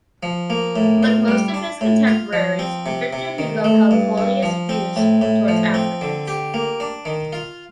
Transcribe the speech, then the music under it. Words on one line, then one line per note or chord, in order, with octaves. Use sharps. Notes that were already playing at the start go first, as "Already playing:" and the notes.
Like most of his contemporaries, Victor Hugo held colonialist views towards Africans.
F3
A#3
A2
F4
G3
D4
A2
F4
F3
C4
C3
C3
D#3
A3
G2
G2
F3
C4
A2
A2
F3
C4
D3
G4
A#3
D4
D#3
F4